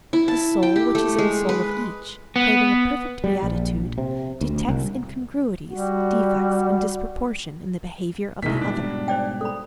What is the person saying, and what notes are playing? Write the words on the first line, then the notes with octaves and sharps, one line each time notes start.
The soul which is in the soul of each, craving a perfect beatitude, detects incongruities, defects and disproportion in the behavior of the other.
E4
A5
G5
G4
A3
G#3
B4
B3
G3
A#1
C3
D2
C2
G3 F#4
C2 A#2 D#3 G#3 B6
G#2 B2 G3 D4
C5 D5 G5
A4 B5